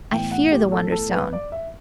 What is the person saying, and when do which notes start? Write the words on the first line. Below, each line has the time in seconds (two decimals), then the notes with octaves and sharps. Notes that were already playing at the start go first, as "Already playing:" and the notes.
I fear the Wonderstone.
0.12 A2 E3 B3 G5
0.31 F#5
0.52 G4
0.72 A4
0.92 A4
1.12 B4
1.33 D5
1.52 E5